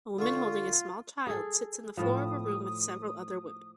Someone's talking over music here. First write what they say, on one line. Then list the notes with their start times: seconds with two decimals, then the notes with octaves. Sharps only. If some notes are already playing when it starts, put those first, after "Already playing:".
A woman holding a small child sits in the floor of a room with several other women.
0.19 D3 F4 C#6
1.27 G#4 A4
1.97 A2 F3 D#6